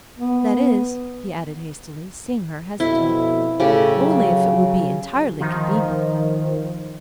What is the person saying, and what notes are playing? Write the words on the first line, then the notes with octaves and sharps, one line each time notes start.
That is," he added hastily, seeing her hesitate, "only if it would be entirely convenient!
B3
F2 B2 E4
A2 C#3 G4 A4
F#3
D#3 F3